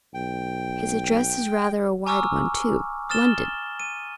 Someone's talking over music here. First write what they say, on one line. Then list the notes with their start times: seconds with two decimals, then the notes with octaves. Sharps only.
'His address is rather a wide one, too--London!
0.14 B1 G5
2.07 G#5 A#5 C#6 D6 E6 F6
3.10 D#6 F6 A6 E7 G7
3.80 D#7